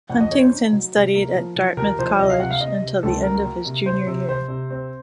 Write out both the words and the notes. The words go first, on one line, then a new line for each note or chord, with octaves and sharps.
Huntington studied at Dartmouth College until the end of his junior year.
F2 F#5
D#5
C#4 C#5
C5
D#4
F#3
C3
A#3
F3
F3
D#2 A#4
A#4
F3 C5
C#5
C3 D#5
F5
C3 F#5
F5
C3 D#5
C3
C#2 A4
F#3 A#4
A#3
C3
C3 C5
C3
C3 C5
C3
C4